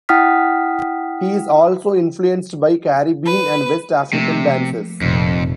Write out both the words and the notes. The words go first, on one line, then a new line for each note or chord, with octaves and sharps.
He is also influenced by Caribbean and West African dances.
E4 F#5 G5 D#6 F6 B6
B4
C3 F3 A3 A#3
F1 F2 A#2